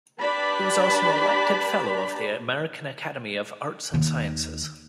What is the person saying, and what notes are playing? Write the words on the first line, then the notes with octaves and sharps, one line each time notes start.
He was also an elected Fellow of the American Academy of Arts and Sciences.
D4 G4 B4 D5 A5 B5
D#2 D#3